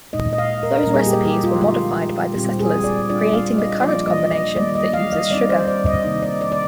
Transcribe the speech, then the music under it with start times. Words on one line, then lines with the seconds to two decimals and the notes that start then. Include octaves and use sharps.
Those recipes were modified by the settlers, creating the current combination that uses sugar.
0.13 A#2 G#3 D#4 D#5
0.33 D#5
0.38 F5
0.63 A#4
0.83 A#2 G3 A#3 D#4 A#4
0.94 G#4
1.06 G4
1.24 G4
1.43 F4
1.61 D3 F3 G#3 D#4 F4
2.35 A#2 G3 C4 F4 G4
2.60 G#4
2.84 D5
3.09 G3 D4 F4 D5
3.33 F5
3.58 D#5
3.82 F3 A#3 D4 F4 D5
4.07 D#5
4.32 D#5
4.56 D#3 G3 A#3 D5
4.75 D#5
4.93 F5
5.13 D#5
5.30 G3 C4 D#4 D5
5.49 C5
5.67 D5
5.86 D#5
6.05 C3 D#3 A#3 D#4
6.23 D5
6.41 D5
6.52 D5